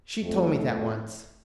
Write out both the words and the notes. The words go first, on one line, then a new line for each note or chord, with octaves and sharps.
"She told me that once."
F2 A3